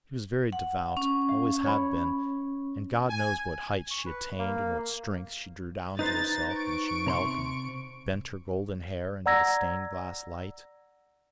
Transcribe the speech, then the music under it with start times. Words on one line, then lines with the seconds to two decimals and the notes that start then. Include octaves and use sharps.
She was very devout, always had been, and God knows what heights she attained and what strength she drew down to herself when she knelt and bent her golden hair into the stained-glass light.
0.53 F#5
0.97 C#4
1.29 F5
1.64 C#5 B5
3.08 G#5
3.91 C#6
4.06 B4
4.38 A#3
5.99 D#4 B4 C5 A#5 A6
6.51 C#6 D7
7.06 C3 A#5 C6
9.26 D5 F#5 A#5 E6 G#6 A#6